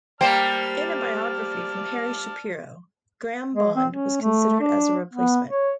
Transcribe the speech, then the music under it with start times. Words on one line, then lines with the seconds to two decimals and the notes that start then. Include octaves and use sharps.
In a biography from Harry Shapiro, Graham Bond was considered as a replacement.
0.21 G3 A#3 C5 D5 G5 A5 F6
3.55 G#3
3.76 C4
3.91 C#4
4.21 A3
4.60 D4
5.13 B3
5.49 C#5